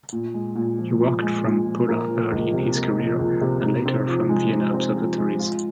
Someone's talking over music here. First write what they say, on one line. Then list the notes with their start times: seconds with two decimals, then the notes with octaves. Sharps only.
He worked from Pola early in his career and later from Vienna observatories.
0.13 A#2
0.34 G#3
0.56 A#2
0.78 F3
1.00 A#2
1.22 G#3
1.44 A#2
1.66 F3
1.88 A#3
2.09 F3
2.32 C#2
2.53 C3
2.75 A#3
2.98 F3
3.19 C#2
3.41 C3
3.63 D#4
3.86 C4
4.08 F3
4.29 G#3
4.52 D#4
4.74 C4
4.96 F3
5.18 G#3
5.39 F4